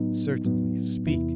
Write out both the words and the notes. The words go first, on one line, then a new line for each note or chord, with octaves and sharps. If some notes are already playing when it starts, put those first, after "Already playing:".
"Certainly, speak."
Already playing: A2 F#3 B3 D#4
A2 F#3 B3 D#4
E2 C3 E3 B3 E4